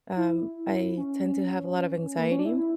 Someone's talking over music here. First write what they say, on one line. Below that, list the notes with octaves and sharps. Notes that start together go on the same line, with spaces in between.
Um, I tend to have a lot of anxiety
E4
C#4
A#3
C#4
D4
E4
E4